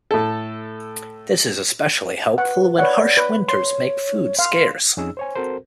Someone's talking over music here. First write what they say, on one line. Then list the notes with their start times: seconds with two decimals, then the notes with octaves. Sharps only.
This is especially helpful when harsh winters make food scarce.
0.11 A2 A4
2.38 B4 F#5
2.79 B4 C#5 D5 F#5
3.17 B4
3.48 C#5 C6
4.39 F5 C6
4.97 F2 C#4 D#4 G#4 E6
5.17 C5 C#5 G#5
5.35 C4 F#4 A4 A#4 C5